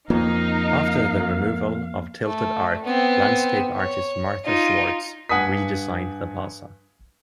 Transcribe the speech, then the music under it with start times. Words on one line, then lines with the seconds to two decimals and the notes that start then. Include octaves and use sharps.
After the removal of "Tilted Arc", landscape artist Martha Schwartz re-designed the plaza.
0.10 F2 A#3 D#4 F5
2.25 A3
2.85 B3 C4
3.76 C#5
4.45 D#4 F4
5.29 G2 F#5 G#5 D#6 B6